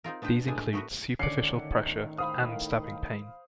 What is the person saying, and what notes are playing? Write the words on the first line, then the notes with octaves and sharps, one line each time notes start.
These include superficial pressure and stabbing pain.
C4 D#4 F4 A#4
B3 D4 G4 B4 C5 G5
A2 G#3 B3 D4 G#5
A3 B3 F#4 A#4 B4
A2 D3 D#3 C#4 D5 C7 C#7
C5 F5 B5 D#6